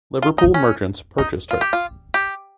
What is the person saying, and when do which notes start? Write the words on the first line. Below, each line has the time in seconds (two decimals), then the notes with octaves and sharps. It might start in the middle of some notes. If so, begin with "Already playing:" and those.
Liverpool merchants purchased her.
0.22 F4
0.38 D#4
0.54 C#4
1.18 D#4
1.51 F4
1.61 G4
1.73 F4
2.14 G4